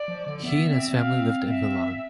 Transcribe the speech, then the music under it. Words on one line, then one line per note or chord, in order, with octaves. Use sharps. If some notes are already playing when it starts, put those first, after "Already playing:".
He and his family lived in Milan.
Already playing: D5
F3
D3
B3 E5
C4
F5
E5